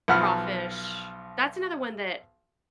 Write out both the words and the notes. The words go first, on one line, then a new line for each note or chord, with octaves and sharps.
crawfish that's another one that
B1 F3 F#5 B5 F6